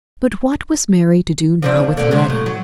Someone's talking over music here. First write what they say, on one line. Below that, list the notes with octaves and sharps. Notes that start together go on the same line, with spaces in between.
But what was Mary to do now with Letty?
F3 C4 D4
D#2
A#2 D3
C3 F#3 G#3
A2
F#3